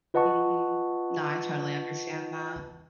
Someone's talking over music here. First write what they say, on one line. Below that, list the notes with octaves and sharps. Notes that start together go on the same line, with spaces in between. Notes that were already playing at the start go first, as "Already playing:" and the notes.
Mhm. No, I totally understand that.
F4 B4 D#5 F#5 A5 C#6